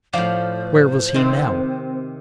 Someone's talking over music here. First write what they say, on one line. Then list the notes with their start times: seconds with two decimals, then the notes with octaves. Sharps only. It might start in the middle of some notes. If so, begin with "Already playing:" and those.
Where was he now?
0.13 A2 F3 C5 D5 F5
1.14 C3 D#3 C4